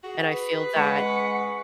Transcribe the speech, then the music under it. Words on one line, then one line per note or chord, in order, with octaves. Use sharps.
And I feel that
F#4 G#4
B4
G#3 F#5 C#6